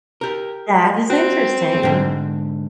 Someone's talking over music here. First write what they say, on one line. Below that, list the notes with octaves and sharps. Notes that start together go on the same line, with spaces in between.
That is interesting.
G4 A#4
C4 F#4
G#2 D3